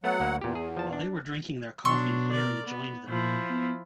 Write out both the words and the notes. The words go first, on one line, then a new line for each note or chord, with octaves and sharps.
While they were drinking their coffee Harry joined them.
F#3 A3 B3 F#5
D2 A#3
E2 A#2 G4
G#4
F3 A5
D4
B2 F#3 D4 C6 C#6 E6
A#4 D5
B3
A#2 F3 E4
B3